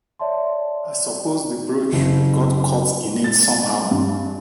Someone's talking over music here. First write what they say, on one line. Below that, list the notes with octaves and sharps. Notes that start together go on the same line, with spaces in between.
I suppose the brooch got caught in it somehow.
C#5 D5 E5 A5 C6
F#1
A6
G2